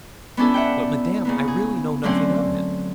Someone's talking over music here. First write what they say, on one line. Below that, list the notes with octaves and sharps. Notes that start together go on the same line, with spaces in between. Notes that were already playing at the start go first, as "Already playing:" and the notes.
'But, Madame, I really know nothing of it.
B3 C#4 D4 E4 A4
E5 F#5 G5
C#3 A#3 B3
G#4
D3 F#3 A3 C4 C#4